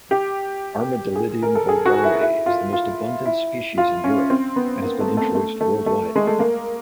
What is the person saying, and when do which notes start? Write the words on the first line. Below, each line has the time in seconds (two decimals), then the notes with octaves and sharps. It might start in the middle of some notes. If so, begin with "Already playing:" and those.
"Armadillidium vulgare" is the most abundant species in Europe and has been introduced worldwide.
0.11 G4
1.16 G#4
1.42 A#4
1.55 A4
1.69 G#4
1.86 F#4
2.04 E4
2.21 E4
2.46 F4
2.73 F4
3.25 E4
3.78 F4
4.04 C#4
4.30 C4
4.56 B3
4.82 A#3
5.00 A3
5.17 A3
5.35 A3
5.61 A3
5.86 A3
6.16 G#3
6.27 A3
6.39 A#3